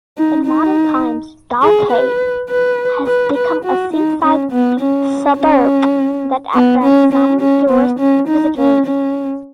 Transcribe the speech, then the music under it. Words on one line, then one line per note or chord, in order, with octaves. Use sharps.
In modern times, Dalkey has become a seaside suburb that attracts some tourist visitors.
D#4
D#4
G#4
B4
B4
B4
B4
F#4
D#4
C#4
B3
C#4
C#4
B3
C#4
C#4
C#4
B3
C#4
D#4
C#4
C#4